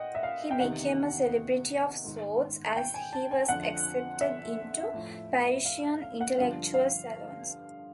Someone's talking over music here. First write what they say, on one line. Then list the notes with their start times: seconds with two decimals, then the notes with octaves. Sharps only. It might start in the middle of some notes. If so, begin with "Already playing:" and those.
He became a celebrity of sorts as he was accepted into Parisian intellectual salons.
Already playing: A#2 D#5 F#5 G5
0.15 E5
0.23 F5
0.51 G5
0.60 E2 C3 D#3 F#5
2.05 G#2 D#3
2.76 G5
2.94 G#5
3.13 A5
3.31 G#5
3.48 F2 D3 F3 F#5
4.21 E5
4.94 A2 F3
5.65 F5
6.02 F5
6.21 F#5
6.38 G2 D3 F3 F5
6.74 F5